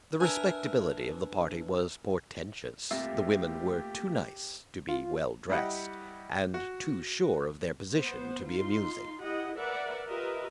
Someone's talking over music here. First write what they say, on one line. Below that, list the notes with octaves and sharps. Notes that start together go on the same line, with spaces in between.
The respectability of the party was portentous. The women were too nice to be well dressed, and too sure of their position to be amusing.
D4 A#4 B4 E5 G#5
C2 C3 A3 A#3 F4 G4 E5 E6
F4
G3 E4 G4 D#5 F#5
F#4
B3 C5
D#4 F4 C6
E4 G4 D#5 F#5
A#4 B4 D5 E5 F#5
F4 G4 A#4 B4 D#5 E5